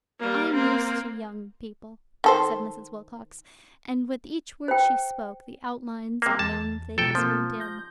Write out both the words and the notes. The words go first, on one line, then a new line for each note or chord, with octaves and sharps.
"I am used to young people," said Mrs. Wilcox, and with each word she spoke the outlines of known things grew dim.
G3 A#3
A#3 C4
D#3 A4 C5
C5 G5
C3 A#3
E2 A5
B2 F3 A4 G5
B2 F3 A#3 C4
G6 A#6